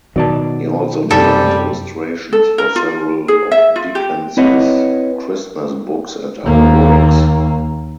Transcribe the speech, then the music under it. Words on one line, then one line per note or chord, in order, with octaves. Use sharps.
He also designed illustrations for several of Dickens's Christmas books and other works.
B2 D#3 F#3 D5 A5
F#2 C3 G3 A4
A4
A#4
F4
G#4
E5
F4
G4
C4 E4 B4 C#5 D#5 F#5
D#2 A#3